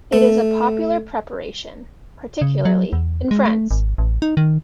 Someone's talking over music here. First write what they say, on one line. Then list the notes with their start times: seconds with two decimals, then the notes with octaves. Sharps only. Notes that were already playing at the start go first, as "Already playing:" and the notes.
It is a popular preparation, particularly in France.
0.13 A3
2.41 C#3
2.65 F#3
2.93 E2
3.31 G#3
3.45 A3
3.71 G#1
3.98 A1
4.22 D#4
4.37 D#3